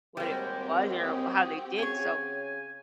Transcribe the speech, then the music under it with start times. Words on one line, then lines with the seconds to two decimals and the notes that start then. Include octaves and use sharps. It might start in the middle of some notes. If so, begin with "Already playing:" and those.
what it was or how they did, so,
0.17 D#2 G3 G#3 C4 F#4 G4
1.00 G#4
1.78 C#3 G#4 C#5 G#5